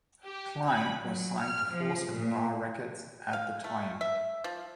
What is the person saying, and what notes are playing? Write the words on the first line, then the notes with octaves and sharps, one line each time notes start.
Cline was signed to Four Star Records at the time.
G4
B5
F#3
F6
F3
A#2
F5
A3
E5
F3